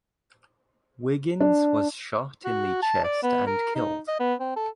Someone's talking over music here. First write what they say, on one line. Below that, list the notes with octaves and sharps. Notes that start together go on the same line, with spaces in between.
Wiggins was shot in the chest and killed.
D4
F#4
A5
D5
B3
A#4
D#4
D#5
B3
C4
A4